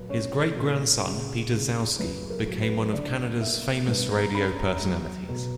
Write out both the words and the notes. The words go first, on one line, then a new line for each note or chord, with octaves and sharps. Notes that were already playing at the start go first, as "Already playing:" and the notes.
His great-grandson, Peter Gzowski, became one of Canada's famous radio personalities.
Already playing: A#2 F#3 B4
C#4 C#5
A#2
C#3
C#3
F#2 B4
A#4
F#3
B4
D3 D5
A#3 E5
G2 B4
A#5
C#4 B5
A#5
F#3
B2